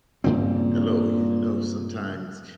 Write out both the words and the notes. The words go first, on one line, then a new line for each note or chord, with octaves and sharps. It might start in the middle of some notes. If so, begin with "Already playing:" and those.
Hello, you know, sometimes,
G2 A#2 C#3 C4